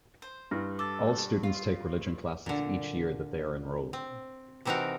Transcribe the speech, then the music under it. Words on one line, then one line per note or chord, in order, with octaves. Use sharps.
All students take religion classes each year that they are enrolled.
C5
G2 E4 F6 A#6
A4 D6 E6 A6
F4
A#2 D3
C4
C3 E3 C4 D#4 F#4 A#4